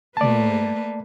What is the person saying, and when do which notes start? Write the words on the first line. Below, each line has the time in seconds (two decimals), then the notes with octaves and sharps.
Oh, yeah.
0.17 A3 A#3 B4 D5 A5